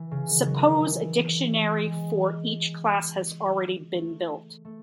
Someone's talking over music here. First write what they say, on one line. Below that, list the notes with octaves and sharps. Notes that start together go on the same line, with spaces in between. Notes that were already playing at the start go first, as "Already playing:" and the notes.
Suppose a dictionary for each class has already been built.
Already playing: E3
C#3
D#3
F#3
E3
D#3
E3
G#3
A3
A3